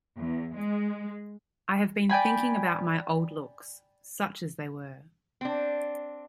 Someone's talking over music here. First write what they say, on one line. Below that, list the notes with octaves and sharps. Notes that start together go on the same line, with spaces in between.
I have been thinking about my old looks — such as they were.
E2
G#3
D5 G5 G#5 B5
C4 D4